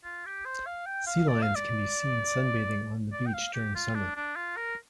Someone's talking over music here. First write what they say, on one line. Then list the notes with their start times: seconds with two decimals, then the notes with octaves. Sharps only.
Sea lions can be seen sunbathing on the beach during summer.
0.04 F4
0.25 G4
0.45 C5
0.66 F5
0.86 G5
1.06 F5
1.28 D5
1.42 F5
1.55 D5
3.12 D5
3.26 G5
3.34 F5
3.53 G4
3.75 F4
3.95 D4
4.16 D4
4.36 F4
4.56 A#4